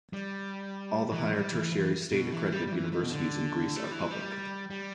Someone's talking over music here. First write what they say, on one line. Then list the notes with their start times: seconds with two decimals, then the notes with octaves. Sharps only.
All the higher Tertiary state-accredited universities in Greece are public.
0.13 G3
1.12 E3
1.32 G3
1.52 E3
1.72 E3
2.12 B2
2.32 E3
2.52 G3
2.67 G3
2.72 E3
2.92 E3
3.03 B2
3.11 D3
3.76 A3
3.84 G3
3.91 E3
4.11 G3
4.70 G3